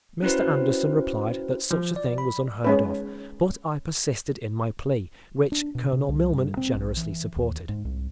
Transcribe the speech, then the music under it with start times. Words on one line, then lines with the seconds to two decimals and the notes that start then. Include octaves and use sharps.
Mr. Anderson replied that such a thing was unheard of, but I persisted in my plea, which Colonel Milman generously supported.
0.23 C#4 E4 F#4 B4 C5
1.71 F3
1.96 D5
2.18 B5
2.64 G#3 C#4 B4
5.52 D4
5.75 B2
5.93 C3
6.09 C2
6.31 G2
6.57 C4
6.75 A#1
6.97 E3
7.36 D#2
7.69 G#2
7.85 C2